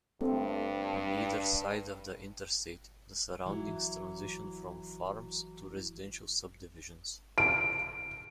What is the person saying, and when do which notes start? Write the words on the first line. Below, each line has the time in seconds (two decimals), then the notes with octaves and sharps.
On either side of the Interstate, the surroundings transition from farms to residential subdivisions.
0.21 G2 A3 C4 A4
3.46 E3 F#3
7.38 D7